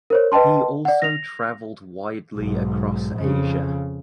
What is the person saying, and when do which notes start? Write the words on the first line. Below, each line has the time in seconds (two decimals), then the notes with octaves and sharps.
He also traveled widely across Asia.
0.10 A#4 C5 C#5
0.32 B4 D#5 G5 A5 C6
0.85 D5 F#5
1.02 A#6 F7
2.35 B1 G#2
3.15 F2 C#3